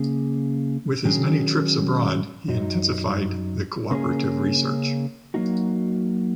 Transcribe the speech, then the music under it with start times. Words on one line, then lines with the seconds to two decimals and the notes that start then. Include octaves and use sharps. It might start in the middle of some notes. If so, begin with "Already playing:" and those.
With his many trips abroad, he intensified the cooperative research.
Already playing: C#3 A#3 C#4 G#4
1.05 D#3 F#3 C#4 G#4
2.48 F#2 F#3 D#4
3.91 C#3 A#3 C#4 G#4
5.34 F#3 A#3 D#4 F#4